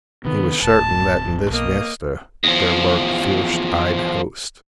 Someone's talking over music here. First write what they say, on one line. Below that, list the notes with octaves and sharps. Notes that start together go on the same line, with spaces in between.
He was certain that in this vista there lurked fierce-eyed hosts.
C3 D#3 B3
D1 A5
B1 A#3 D#5
E2 F3